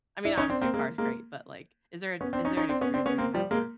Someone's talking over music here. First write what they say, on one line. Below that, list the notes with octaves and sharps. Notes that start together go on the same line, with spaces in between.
I mean, obviously, a car is great, but, like, is there a is there an experience where you had where,
D4 E4
C#4 D#4
C4 D4
A#3 C4
G#3 A#3
G#3 A#3
B3 C#4
C4 D4
C#4 D#4
C#4 D#4
C4 D4
B3 C#4
C4 D4
B3 C#4
A#3 C4
F3 G3
G#3 A#3